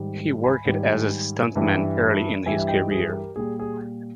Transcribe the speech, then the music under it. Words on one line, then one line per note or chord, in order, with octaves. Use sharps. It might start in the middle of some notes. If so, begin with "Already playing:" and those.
He worked as a stuntman early in his career.
Already playing: G#2 D#3 G3
G#5 B5
G#2 D#3 G3
G2 E3 G3
G2 E3 G3 E5 G#5
E5
D#5 G5
G#4 B4
G4 A#4
A#2 G3 G#4
G#4